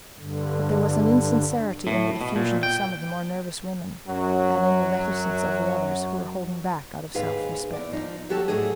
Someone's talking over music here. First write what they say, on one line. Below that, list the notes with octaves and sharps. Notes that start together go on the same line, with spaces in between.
But there was an insincerity in the effusion of some of the more nervous women, and in the reticence of the others, who were holding back out of self-respect.
G2 D3
A2
B2
A#2
G5
F#2 F#3
D#2 G#2 G#4 B4 F5
E2 D5
F3 D#4
D#2 F#3 F#4 G4 A4 A5
G#2 E3 F#3 A3 D4 G#4